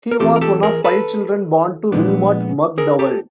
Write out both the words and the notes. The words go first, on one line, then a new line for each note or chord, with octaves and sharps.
He was one of five children born to Wilmot McDowell.
A#4
E3 G3 C4 F4 G4 A4
A#4
G4 A4
G#4 A#4
A4 B4
A#2 F3 G#3 B3 D4
G#4 A#4
G4 A4